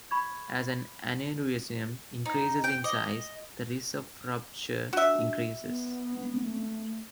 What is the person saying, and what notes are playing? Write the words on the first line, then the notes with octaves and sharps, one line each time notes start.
As an aneurysm increases in size, the risk of rupture increases.
B5 C#6 G#6
D#4
G5
D#5
D4 F#4 E5
B3
A3